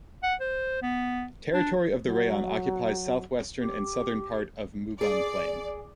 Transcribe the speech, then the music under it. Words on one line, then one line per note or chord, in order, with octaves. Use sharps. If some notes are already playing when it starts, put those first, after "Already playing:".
Territory of the rayon occupies south-western and southern part of Mugan plain.
F#5
C5
B3
D4
F#3
G4
G#4 D5